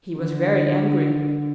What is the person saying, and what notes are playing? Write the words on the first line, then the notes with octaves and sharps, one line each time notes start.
He was very angry.
D3